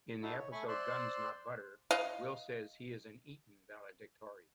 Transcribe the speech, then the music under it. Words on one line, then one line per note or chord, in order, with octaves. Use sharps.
In the episode Guns Not Butter, Will says he is an Eton valedictorian.
D#4 E4 F#4 A4
C#5
A3 G#5 B5 C#6
C5 D5 C6 E6 F#6
D#5 F5